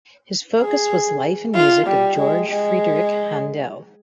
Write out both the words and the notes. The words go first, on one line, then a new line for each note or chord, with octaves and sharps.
His focus was life and music of George Frideric Handel.
G#4
F4
G3
G#3
G#3